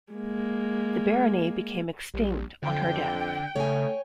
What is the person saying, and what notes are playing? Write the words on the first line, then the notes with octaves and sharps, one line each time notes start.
The barony became extinct on her death.
G#3 A#3
A#1 G3
F2 D3 G5
C#3 A3 C#5 G#5